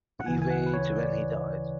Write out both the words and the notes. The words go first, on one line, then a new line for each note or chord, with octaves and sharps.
He weighed when he died.
F#5
D2 C#3 E3 G#5
G#5
F#5
B4
C#5
D5